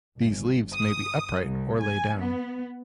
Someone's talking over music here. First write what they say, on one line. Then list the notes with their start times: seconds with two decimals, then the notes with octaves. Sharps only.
These leaves may be upright or lay down.
0.18 G1
0.73 D#6
1.43 C2
1.81 G#5
2.18 B3